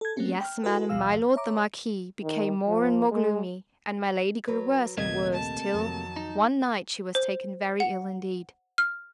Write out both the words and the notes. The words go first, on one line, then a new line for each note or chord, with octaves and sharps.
'Yes, madam, my lord, the Marquis, became more and more gloomy; and my lady grew worse and worse, till, one night, she was taken very ill, indeed.
A4 G#6
F#3 A3 A#3 C4 C#4 G4
G5 F6
E4 F#4 A4 B4
A#1 D#2 B2 F3 F5 E6
C#5 E5 A#5 D6
D#3
F3
G#3
F#3 B4
A#1 D#2 C3 A3 A#3 D#5 G#6
A5
F2 D#3 F#3
D#4
C5
F#5
F6